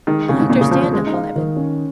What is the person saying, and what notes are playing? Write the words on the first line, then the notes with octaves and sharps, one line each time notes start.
"I understand, Uncle Eben."
D#3 G#3
F2 C#3
G#2
F2 A#2
C#3
C#3 F3
F3
G#3 G#4
D#4
F5
D#3
C#4